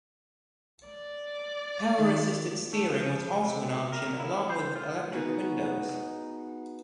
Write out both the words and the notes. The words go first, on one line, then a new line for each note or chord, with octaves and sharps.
Power assisted steering was also an option along with electric windows.
D5
D#3
A3
F3
C3
B2
A#4
E4
C5
F4
B3 D#4 F#4 G#4